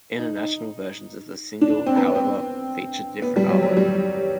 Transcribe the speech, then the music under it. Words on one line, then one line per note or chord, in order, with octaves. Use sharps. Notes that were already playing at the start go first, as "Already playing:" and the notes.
International versions of the single, however, featured different artwork.
D#4
D#4
D4
C4
B3
C4
B3
G3
F#3
F#3
G3